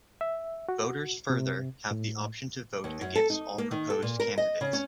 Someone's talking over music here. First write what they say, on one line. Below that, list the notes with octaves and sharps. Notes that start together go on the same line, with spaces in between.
Voters further have the option to vote against all proposed candidates.
E5
F#4
C3
A2
D#2
F#2
A4
D#4
A#3
D#3
A4
A#2
A#4
D#5
C#3
C#4